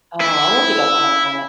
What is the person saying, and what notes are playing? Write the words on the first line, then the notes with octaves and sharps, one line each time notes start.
Oh, I don't think I've had that.
E4